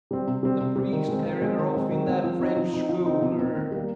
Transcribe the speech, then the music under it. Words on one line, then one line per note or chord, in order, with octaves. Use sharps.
The priest carried her off in that French schooner.
G3 C4
C3
G3 C4
C3
G3 C4
D#3
G#3 C4
D#3
G#3 C4
D#3
G#3 C4
D#3
G#3 C4
F3
C4 D#4
F3
C4 D#4
F3
C4 D#4
F3
C4 D#4
D#3
G3 A#3